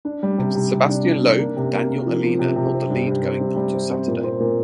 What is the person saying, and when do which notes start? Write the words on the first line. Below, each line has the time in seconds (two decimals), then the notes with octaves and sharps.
Sebastien Loeb and Daniel Elena held the lead going onto Saturday.
0.05 D4
0.23 G3
0.38 C3
0.55 C3
0.73 C3
0.89 D4
1.06 D4
1.23 D4
1.39 A#3
1.57 C3
1.73 A#3
1.89 A#3
2.06 F3
2.23 F3
2.39 C3
2.56 C3
2.73 C4
2.90 G2
3.07 G2
3.23 C4
3.40 G2
3.56 G3
3.74 C4
3.90 C4
4.08 A#2
4.24 C4
4.40 A#2